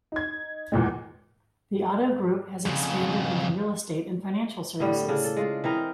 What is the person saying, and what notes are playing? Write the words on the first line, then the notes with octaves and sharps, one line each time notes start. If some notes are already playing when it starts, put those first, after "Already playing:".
The Otto group has expanded into real estate and financial services.
D#4 G#6
E2 A#2 G#3
F2 C#3
A2 D3 G3
C#3 D4
A4
G#3 F4
E3 C4 A#4 D#5